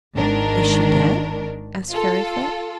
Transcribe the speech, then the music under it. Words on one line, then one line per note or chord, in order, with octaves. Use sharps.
"Is she dead?" asked Fairyfoot.
G#1 G#2 D#3 D4 A#4
F4 A4